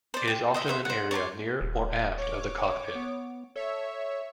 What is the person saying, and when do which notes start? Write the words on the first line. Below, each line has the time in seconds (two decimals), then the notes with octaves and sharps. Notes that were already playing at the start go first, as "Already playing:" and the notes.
It is often an area near or aft of the cockpit.
0.14 C5 D5
0.28 G5
0.54 C5 D#5 E5
0.67 C5 C#5 E5 F#5
0.85 C5 F#5
1.11 C#5 D5 A5 C6
1.61 D#1
2.18 C#5 D6
2.95 B3
3.56 A4 C#5 E5